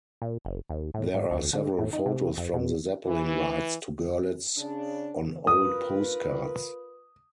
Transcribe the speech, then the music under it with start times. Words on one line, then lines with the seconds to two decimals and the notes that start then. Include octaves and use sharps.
There are several photos from the Zeppelin rides to Görlitz on old postcards.
0.22 A#2
0.45 F#1
0.70 D#2
0.94 A2
1.14 G#2
1.31 D2
1.53 D3
1.79 A2
1.93 D#4
2.06 C3
2.38 F2
2.54 B2
3.05 E3
4.57 C#3 D4
5.47 F4 A#4 B4 D#6